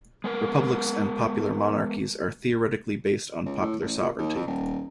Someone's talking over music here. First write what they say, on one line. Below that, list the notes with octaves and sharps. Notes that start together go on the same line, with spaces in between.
Republics and popular monarchies are theoretically based on popular sovereignty.
G#3 B3 A#4
C#2
A2
A1
A#2
D#2
F2
D#1